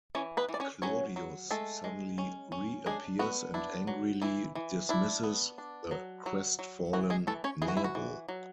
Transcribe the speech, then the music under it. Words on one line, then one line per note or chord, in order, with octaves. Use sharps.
Claudius suddenly reappears and angrily dismisses the crestfallen Nero.
E3 C#4 C#5
B3 B4
E3
D5
C#4 C#5
F#3 C#4 C#5
F#3
G#3 A3 A4
G#3
C#4
C#4
G#3 D4 G#4
B3 F#4
D4 E4
F#3
E3 E4
E3
D4 E4
B3
D4
F#3
F#3
F#3
E3 F#4
G#3 G#4
E3 A3 A4
C#4 C#5
E3 G#4
F#4
E4
F#4
E3
F#3